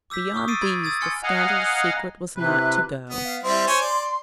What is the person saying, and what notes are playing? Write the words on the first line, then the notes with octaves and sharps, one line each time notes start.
Beyond these the scandalous secret was not to go.
D6 E6 G6 B6
C#6 D#6 F6
D#6 E6 A6 C7 D7 D#7
B5 G#6
D#6 E6 G#6 A6
G#5 C6 F6 G#6 A6 C#7
D#5 F5 F#5 G#5 A#5
C3 E3 B4
B3
F5
G3 C4 E4 C6
C5 C#5 G#5
D5